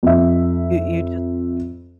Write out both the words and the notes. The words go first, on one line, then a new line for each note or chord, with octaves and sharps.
You you ju
F2 E5